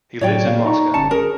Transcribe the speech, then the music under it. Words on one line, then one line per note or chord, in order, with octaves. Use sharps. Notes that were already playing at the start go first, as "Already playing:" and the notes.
He lives in Moscow.
A2 F#3 C#5 D5 G5
A#2 A#3 F5
D#4 A#5 C#6
G1 C#4 A5 C#7
C#4 G#4 A#4